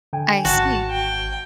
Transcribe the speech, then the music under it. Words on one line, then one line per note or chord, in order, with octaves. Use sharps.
I see.
D3 G5 G#5
G#1 F#4 A5
G5